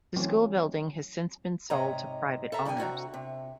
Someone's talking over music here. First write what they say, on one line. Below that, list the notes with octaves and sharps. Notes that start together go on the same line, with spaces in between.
The school building has since been sold to private owners.
E3 F#3 A3 C4 C#4
G#2 C3 C#5 D#5 A#5
A4 E5 A#5
G2 D3 D#3 G5 G#5
C3 F#4 D#5 A#5
C3